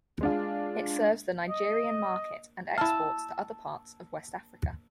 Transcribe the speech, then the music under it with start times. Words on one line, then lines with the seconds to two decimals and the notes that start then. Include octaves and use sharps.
It serves the Nigerian market and exports to other parts of West Africa.
0.21 G#3 D4 F4
1.49 D#5
2.78 E4 F5 A5 E6